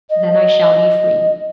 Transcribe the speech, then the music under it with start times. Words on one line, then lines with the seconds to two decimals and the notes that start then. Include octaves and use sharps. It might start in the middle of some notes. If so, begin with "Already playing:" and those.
'Then I shall be free.'
0.10 D#5